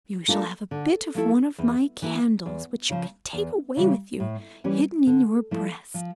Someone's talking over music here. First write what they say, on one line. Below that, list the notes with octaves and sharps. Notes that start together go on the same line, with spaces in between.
You shall have a bit of one of my candles, which you can take away with you hidden in your breast.
A3 D4 F4 A#4
D3
F3 A3 E4 A4
E2
E3 A#3 E4 A#4
E2
C#3 F3
E2
C#3 E3 G3 C#4
A2
E3 G3 C#4 G4
D3
F3 A3 E4
F3